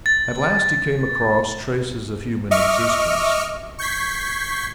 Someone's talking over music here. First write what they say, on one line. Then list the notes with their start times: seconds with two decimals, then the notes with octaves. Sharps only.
At last he came across traces of human existence.
0.06 A6
2.51 D#5 E5 C#6 D6 F6
3.79 C#6 G6 G#6 B6 C7